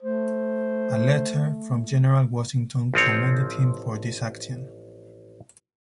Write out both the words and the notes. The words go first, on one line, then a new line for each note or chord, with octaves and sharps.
A letter from General Washington commended him for this action.
A3 C5
A1 F3 C4 C#5